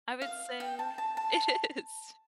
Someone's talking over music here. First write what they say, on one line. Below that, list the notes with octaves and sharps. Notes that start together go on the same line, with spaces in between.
I would say it is
F5
G5
A5
A5
A5